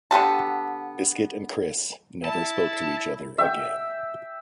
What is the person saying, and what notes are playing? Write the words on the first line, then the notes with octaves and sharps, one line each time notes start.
Biscuit and Chris never spoke to each other again.
D3 B3 G4 A5
E4 A5
E5 G5